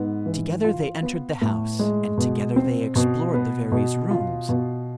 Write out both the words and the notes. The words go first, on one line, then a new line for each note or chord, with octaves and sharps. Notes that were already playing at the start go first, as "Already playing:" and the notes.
Together they entered the house and together they explored the various rooms.
Already playing: G#2 B3
E3
F4
B3
A2
G#3
B2
C4
B2
B3
B2
F4
B2